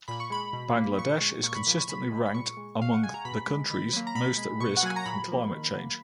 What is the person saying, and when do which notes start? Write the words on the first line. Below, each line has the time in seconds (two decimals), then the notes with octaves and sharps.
Bangladesh is consistently ranked among the countries most at risk from climate change.
0.08 A#2 B5
0.20 C#6
0.30 G#3 B5
0.53 B2
0.76 A#3
0.98 A#2 C#6
1.21 G#3
1.44 A#2 C#6
1.55 B5
1.67 F3 A#3 B5
1.78 C#6
1.89 C#3 B5
2.12 G#3
2.26 B5
2.34 A#2 C#6
2.57 G#3
2.79 B2 F5
2.93 F#5
3.02 G#3 G#5
3.14 A#5
3.25 B2 B5
3.47 G#3
3.70 D#3 B5
3.93 F#3 A#3
4.07 A#5
4.15 B2 B5
4.38 G#3
4.60 B2 C#6
4.77 F#5
4.83 F#3 A#3 G#5
4.96 A#5
5.06 A#2 B5
5.28 F3 A#3
5.51 D#3
5.73 F#3 A#3